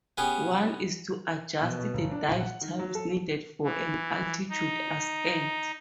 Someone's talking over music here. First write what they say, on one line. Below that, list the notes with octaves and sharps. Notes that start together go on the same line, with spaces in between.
One is to adjust the dive times needed for an altitude ascent.
B3 C#4 G4 G#4
B2
B2
G1
D4
A#1
F#5
D#3
F#3
A4
E3
D#4